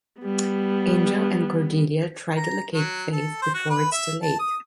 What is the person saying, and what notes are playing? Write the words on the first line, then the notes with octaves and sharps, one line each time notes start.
Angel and Cordelia try to locate Faith before it's too late.
G3 B3
A#5
F#3
A4
C5
F#4
B4
E5
A5
D#6